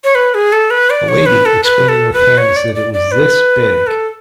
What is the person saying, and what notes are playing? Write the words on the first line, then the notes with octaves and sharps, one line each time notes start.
A lady explaining with hands that it was this big.
C#5
B4
G#4
A4
B4
D5
C#5
B4
A4
B4
A4
B4
C#5
D5
D5
D5
B4
A4